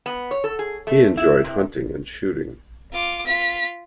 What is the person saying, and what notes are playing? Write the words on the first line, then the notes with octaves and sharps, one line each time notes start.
He enjoyed hunting and shooting.
B3
C#5
A4
G#4
A3
E4
C3
F4 D6
F4 B6